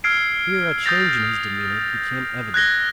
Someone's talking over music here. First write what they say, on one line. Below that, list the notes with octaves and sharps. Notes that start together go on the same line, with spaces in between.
Here a change in his demeanor became evident.
E6 F6 G#6 C7 D7
D#6 G6 A6 A#6 F7
F#6 G#6 A#6 G7